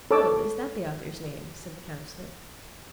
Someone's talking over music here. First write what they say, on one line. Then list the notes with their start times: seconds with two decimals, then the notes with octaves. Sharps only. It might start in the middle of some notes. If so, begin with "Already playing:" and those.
"Oh, is that the author's name?" said the Councillor.
0.11 A4 C#5 A5 D6 E6